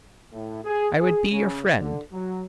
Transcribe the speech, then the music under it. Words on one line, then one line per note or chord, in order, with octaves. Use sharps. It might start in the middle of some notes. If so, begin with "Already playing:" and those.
I would be your friend.
A2
G#4
G#4
C#3
D3
F#3